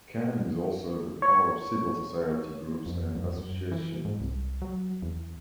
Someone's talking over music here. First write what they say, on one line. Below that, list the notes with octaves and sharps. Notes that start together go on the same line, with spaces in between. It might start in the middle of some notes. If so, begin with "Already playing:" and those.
Khan is also the part of civil society groups and associations.
C#5
F2
F2
F#2
E3
G#2
C2
F#3
E2